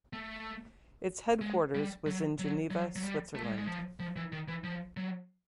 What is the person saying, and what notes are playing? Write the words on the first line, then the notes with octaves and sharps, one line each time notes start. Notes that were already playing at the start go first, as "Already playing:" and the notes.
Its headquarters was in Geneva, Switzerland.
A3
G#3
G3
F#3
F#3
F#3
F#3
G3
A3
G#3
G3
G#3
F3
F3
E3
D#3
E3
F3
F#3